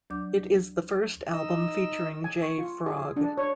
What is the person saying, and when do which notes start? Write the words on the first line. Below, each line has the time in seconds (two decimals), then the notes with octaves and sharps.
It is the first album featuring Jay Frog.
0.10 D2 F#3 D4 D5 D6 G6
1.34 D#4 D#5 E6
2.24 G#5
2.43 C#6
2.58 F4
2.86 G#4
3.16 D4
3.38 C#5